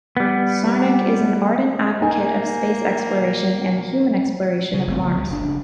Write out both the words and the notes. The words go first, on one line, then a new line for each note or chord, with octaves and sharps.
Czarnik is an ardent advocate of space exploration and the human exploration of Mars.
G3 B3
A#3 D#4 G#5
C#3
F#1 A3 C4
C#3 F3 A#3
C#2 G3
F#1 C#3 D4